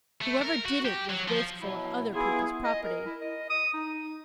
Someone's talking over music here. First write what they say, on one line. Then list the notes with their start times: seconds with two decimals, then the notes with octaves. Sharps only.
"Whoever did it was wasteful of other people's property."
0.22 A3
0.42 A#4
0.65 F#4
0.85 G4
1.10 F#3
1.28 F3
1.61 B2 F#3 E4
2.14 B3 E4 F4 G#4
2.64 D#5
2.83 A#4
3.06 E4
3.21 D#5
3.50 D#6
3.74 D#4